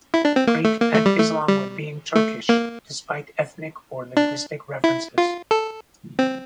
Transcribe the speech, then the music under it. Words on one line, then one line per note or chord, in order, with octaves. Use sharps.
Greek, and Islam with being Turkish, despite ethnic or linguistic references.
E4
D4
C4
A#3
A3
A#3
A3
G3
A3
G3
A3
A#3
D4
E4
F4
A4
C4